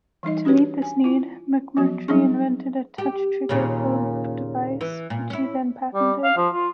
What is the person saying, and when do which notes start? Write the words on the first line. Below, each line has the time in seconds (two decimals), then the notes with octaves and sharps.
To meet this need, McMurtry invented a touch-trigger probe device, which he then patented.
0.23 E3 G3 D#4 D#5
0.45 D4 F#4 G4 B4 C#5
0.82 G#5
1.04 E4 F4
1.77 F3 F#3 B3 F#4
2.08 F#3 G3 C4 D#4 G#4 C#6
2.98 G4
3.49 D#2 A#2 C#3
4.81 E3
5.10 A#2
5.30 C#4 E4
5.94 G3
6.24 F5
6.37 F3
6.53 F4